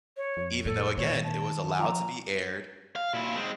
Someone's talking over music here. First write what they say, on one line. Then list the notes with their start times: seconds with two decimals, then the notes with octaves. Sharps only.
even though, again, it was allowed to be aired,
0.17 C#5
0.37 F2
0.65 A2 G3 A4
0.98 A#2 D#3 C#5
1.23 A5
1.79 F3 A#5
2.96 F5
3.14 A#2 E4
3.36 G#3 C4